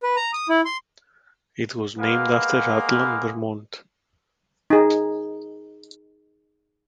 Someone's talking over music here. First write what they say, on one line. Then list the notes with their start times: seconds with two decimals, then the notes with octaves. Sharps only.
It was named after Rutland, Vermont.
0.03 B4
0.16 A#5
0.33 D#6
0.49 E4
0.65 C6
1.98 G#3 A#3 B3 G#4 B4 F5
4.70 D#4 G#4